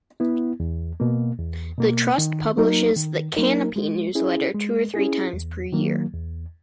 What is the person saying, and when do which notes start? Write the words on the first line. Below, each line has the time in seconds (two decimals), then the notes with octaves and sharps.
The Trust publishes the "Canopy" newsletter two or three times per year.
0.20 B3 E4
0.60 E2
1.00 B2 A#3
1.39 E2
1.78 B2 A#3
2.18 D#3
2.57 F#3 A#3 D#4 A#4
2.96 D#3
3.37 F#3 A#3 D#4 A#4
3.76 G#3
4.15 C#4 E4 G#4
4.55 G#3
4.94 C#4 E4 G#4
5.33 E2
5.72 D#3 F#3 A#3
6.13 E2